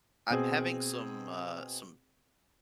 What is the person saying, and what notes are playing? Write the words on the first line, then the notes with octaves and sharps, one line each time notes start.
I'm having some, uh some
B2 C4 G#4